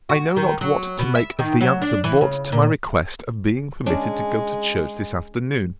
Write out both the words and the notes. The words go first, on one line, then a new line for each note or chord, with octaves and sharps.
I know not what to make of the answer brought to my request of being permitted to go to church this afternoon.
F#4
D#3
F#3
B2
E5
D#3
F#3
D4
E3
C#3
A#2
G#3 C#4 D4